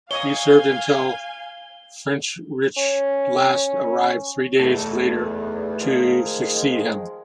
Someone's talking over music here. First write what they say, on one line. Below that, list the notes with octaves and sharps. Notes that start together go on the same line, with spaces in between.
He served until Friedrich Last arrived three days later to succeed him.
C#5 D#5 F5 G#5 D#6 G7
C#4
E2 A3 D#4 A4
D#3 F3 G#3